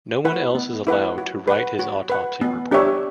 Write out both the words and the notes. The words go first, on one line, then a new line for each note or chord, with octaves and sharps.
No one else is allowed to write his autopsy report.
E4 B4 F#5
B3
E4 B4 F#5
F#4
B4 F#5
F#4
B4 F#5
B3
D4 G4 C#5 E5